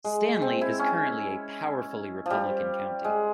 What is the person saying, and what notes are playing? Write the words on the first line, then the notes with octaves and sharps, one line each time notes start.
Stanly is currently a powerfully Republican county.
G#3
C4
E4
C#4
F3 G3
G#3